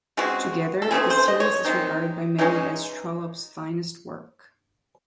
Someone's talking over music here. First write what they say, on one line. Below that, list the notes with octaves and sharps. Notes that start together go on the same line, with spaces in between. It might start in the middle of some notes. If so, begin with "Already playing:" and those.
Together, the series is regarded by many as Trollope's finest work.
C#3 G#3 C4 F#4
A4
C#3 E3 A3 C4 G#4
C5
D#5
C#5
D#3 G#3 C4 D#4
E3 G#3 C#4 D#4